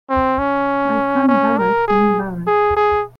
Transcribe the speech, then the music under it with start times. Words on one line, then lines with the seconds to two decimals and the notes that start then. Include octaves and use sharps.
By Frank Barrett; Lynn Barrett.
0.09 C4
0.39 C#4
1.28 C#4
1.58 A#4
1.88 G#4
2.47 G#4
2.76 G#4